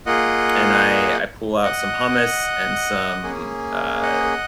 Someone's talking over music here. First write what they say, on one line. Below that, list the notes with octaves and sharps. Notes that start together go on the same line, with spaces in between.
and I I pull out some hummus and some, uh,
A#3 F4 G#4 D#5 F#5
D#5 F#5
A#3 C#4 G#4
D#5 F#5